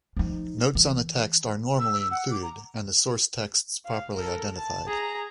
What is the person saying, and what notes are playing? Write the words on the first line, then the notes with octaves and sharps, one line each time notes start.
Notes on the text are normally included and the source texts properly identified.
F3 D#4
E3
E6
E6
F#5
D6
A#5
F5
A4 A#4
A5
G#4 A#5